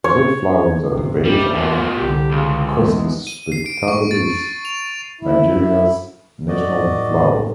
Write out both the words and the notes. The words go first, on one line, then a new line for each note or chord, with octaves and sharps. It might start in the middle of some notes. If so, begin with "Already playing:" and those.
The red flowers at the base are "Costus spectabilis", Nigeria's national flower.
C#5
G#1 C3
D#2 G3 A3
B2 A#3
C2 D3 G4
C#2 C#3
E2 G#3
D#7
C7
D7
C#6
A6
F7
E4
F#2 A2 D#3 F#4 D5 D#5